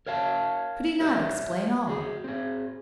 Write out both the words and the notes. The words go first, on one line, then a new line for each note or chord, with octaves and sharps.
Could he not explain all?
A#4 C#5 F5 A5
G4 A#4 C#5 E5
F#3 G#4
C4 G#4